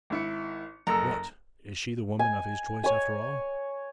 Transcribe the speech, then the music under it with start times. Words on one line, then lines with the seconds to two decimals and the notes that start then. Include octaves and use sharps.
'What--is she the woman of his choice after all?'
0.10 G#1 E4 C#7
0.87 F#1 A4 A#5 E6
2.19 G#5
2.84 C#5 G#5